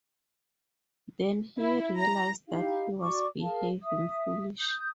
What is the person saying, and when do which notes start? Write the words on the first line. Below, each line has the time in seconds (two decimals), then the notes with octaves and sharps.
Then he realised that he was behaving foolishly.
1.59 E4
1.98 A#5
2.48 D#4 E4 G4 F5
3.01 F#4 D5 C#6 D6
3.41 G#4 A#4 F5 A5
3.83 E5 D#6
4.59 D#6 G6